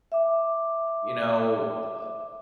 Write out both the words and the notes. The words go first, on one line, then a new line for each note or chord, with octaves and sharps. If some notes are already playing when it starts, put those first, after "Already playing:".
you know, uh,
E5 D6